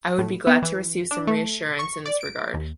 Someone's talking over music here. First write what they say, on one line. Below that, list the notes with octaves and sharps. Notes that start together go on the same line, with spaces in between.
I would be glad to receive some reassurance in this regard.
A2
B3
E3
D4
A3
C#6
D5
D7
D#2